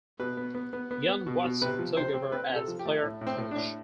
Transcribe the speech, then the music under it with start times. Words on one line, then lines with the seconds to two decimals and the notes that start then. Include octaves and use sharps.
Ian Watson took over as player-coach.
0.20 B2 B4
0.37 B3
0.55 B3
0.73 B3
0.91 B3
1.08 B3
1.27 B2
1.44 B2
1.62 C3 B4
1.79 F3
1.97 C3 C5
2.14 C4
2.32 C4 B4
2.50 C3
2.56 A4
2.68 F3
2.79 G4
2.86 A3
3.03 A2
3.21 A2
3.27 C4
3.38 A2
3.51 D4
3.56 A2